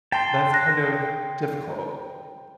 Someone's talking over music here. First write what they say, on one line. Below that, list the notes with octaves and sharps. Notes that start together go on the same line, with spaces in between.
that's kind of difficult.
G5 A5 C6
F#6 A#6